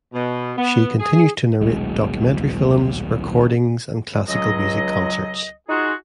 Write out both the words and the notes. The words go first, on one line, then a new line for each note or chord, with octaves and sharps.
She continues to narrate documentary films, recordings, and classical music concerts.
B2
B3
G#4
D#1 B1 B2 G#3
C#2 F#3 D#5
D#4 F4 F#4 G#4